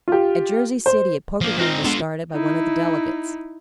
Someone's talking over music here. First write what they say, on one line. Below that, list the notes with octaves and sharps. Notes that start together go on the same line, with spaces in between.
At Jersey City a poker game was started by one of the delegates.
F4 G4
C5
F3 A#3
C4 D#4 F4 F6 A#6
G#3 B3 D4 F4 A4
D#4 E4